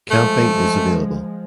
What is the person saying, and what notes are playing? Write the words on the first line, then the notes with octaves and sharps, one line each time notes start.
Camping is available.
F3 G#3 A3